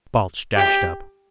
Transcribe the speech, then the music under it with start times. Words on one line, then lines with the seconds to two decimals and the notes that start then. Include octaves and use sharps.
Balch dashed up.
0.57 G4